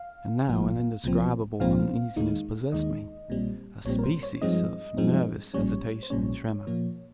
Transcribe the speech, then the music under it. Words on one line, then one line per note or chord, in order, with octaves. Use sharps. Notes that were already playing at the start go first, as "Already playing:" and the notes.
And now an indescribable uneasiness possessed me--a species of nervous hesitation and tremor.
Already playing: F5
G#1 G2 F3 A#3
C2 A#2 F3 C4
C2 A#2 F3 C4 F5
D#2 D#3 G#3 D#4
D#2 D#3 G#3 D#4 D#5
A#1 A#2 G3 C4
A#1 A#2 G3 C4 C#5
A#4
C5
C#5
G2 F3 G#3 C4 D#4 D#5
G2 F3 G#3 C4 D#4
A#1 A#2 G3 C#4 C#5
C5
A#1 A#2 G3 C#4 C#5
A#2 F3 A#3